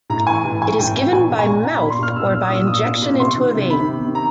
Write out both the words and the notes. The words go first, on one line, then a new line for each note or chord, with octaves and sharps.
It is given by mouth or by injection into a vein.
A2 A#5
E3 G#5
A2
E3 G#5
A2 G5
E3 G5
A#2 G#5
A#2
G#5
A#2
A#2 A#5
B5
A#2
C6
A#2 F6
A#2 E6
A#2 F6
D#6
A#2 E6
A#2 D#6
A#2
A#2
C3 C6
D#3
C3
D#3 B5
C3
D#3
A#5